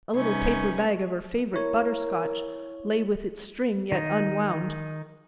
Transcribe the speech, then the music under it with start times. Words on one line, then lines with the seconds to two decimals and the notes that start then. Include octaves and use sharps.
A little paper bag of her favorite butter-scotch lay with its string yet unwound.
0.15 C3 G3 C#4 D#4 B4 C#6
1.53 E4 A#4 C#5
3.92 D#3 D#4